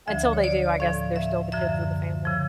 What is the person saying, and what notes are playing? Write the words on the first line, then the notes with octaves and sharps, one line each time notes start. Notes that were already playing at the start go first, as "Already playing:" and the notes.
until they do, I guess they're still the kids of the family.
D2 D3 F3 E5
C#5
D5
A2 F3 F5
E5
F#2 D3 F3 E5
C#3 F3